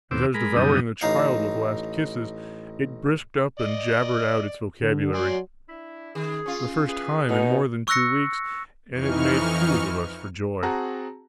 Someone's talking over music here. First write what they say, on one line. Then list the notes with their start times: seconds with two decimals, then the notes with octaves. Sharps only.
As I was devouring the child with last kisses, it brisked up and jabbered out its vocabulary! --the first time in more than two weeks, and it made fools of us for joy.
0.11 D#2 B2 C4 D6 E6
0.34 G#3 A#4 B5
0.56 F#2 B2 D3 G3 D#4 D#6
1.01 A1 D#4 F5
3.59 D5 D#5
4.81 D3
5.14 F#3 D5 G#5 C6
5.69 D4 E4
6.15 D#3 G#4
6.46 C#4 F4
6.89 E4 G#4 B4
7.29 B2 D#4
7.88 C#6 E6 F#6 A#6 C#7
8.91 F2 E3 D#4 C#6 F6
10.63 C4 F#4 G#4 F#5 A5 A#5